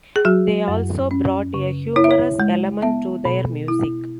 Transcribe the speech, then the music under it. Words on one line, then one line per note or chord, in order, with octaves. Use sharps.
They also brought a humorous element to their music.
G#4
F#3 F#4
F#2
C#4
C#3
E4 C#5
E5
C#5
G#3
B3 E5
B2
E4